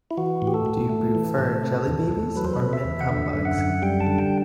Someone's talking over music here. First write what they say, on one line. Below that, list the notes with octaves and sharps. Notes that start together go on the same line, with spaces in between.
Do you prefer jelly babies or mint humbugs?
E4
E3 F#4
A2
G4
A4
A2
A3
E3
A2
C3
E2
E2
F#3 B4
C5
B4
C3
E5
E2
F#5
D3 E5
F#2
F#5
F#2
G3 G5
A5
D3
G5